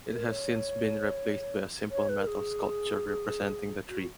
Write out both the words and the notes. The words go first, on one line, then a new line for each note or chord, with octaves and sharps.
It has since been replaced by a simple metal sculpture representing the tree.
A#4
C#5
C#5
B4
A#4
G#4
F#4